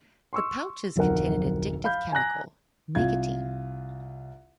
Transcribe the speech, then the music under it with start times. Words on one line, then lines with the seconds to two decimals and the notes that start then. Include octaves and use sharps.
The pouches contain the addictive chemical nicotine.
0.33 C6 C#6 E6
0.96 D1 B1 F2 A#4 F#5
1.84 F5 B5 G6
2.12 G#5 A#5 F#6 A#6
2.95 C2 F4 G#6